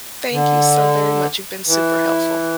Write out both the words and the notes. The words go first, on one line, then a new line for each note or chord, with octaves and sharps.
thank you so very much, you've been super helpful.
D3
E3